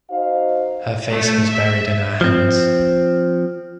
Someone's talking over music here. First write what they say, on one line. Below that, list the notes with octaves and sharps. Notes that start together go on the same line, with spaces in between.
Her face was buried in her hands.
D#4 F#4 C5 D#5 F5
A3
E5
F3 C4